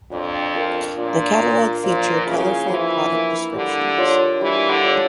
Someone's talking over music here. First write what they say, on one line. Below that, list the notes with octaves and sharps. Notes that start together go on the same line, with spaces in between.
The catalog featured colorful product descriptions.
F2 D4
F4 A#4
A#2 D4
F4 A#4
A#2 F3
C#3 A#3 E4
E3 F3
A#3 E4
D3 G3
D4 F4 C#5
E3 G3
D3
D4 F4 C#5